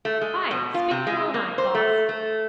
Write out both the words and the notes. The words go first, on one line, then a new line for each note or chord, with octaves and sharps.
Hi! Spit in your own eye, boss!
A3
G#3
B2
F4
C3
G#3
A#3
C5
A3
A3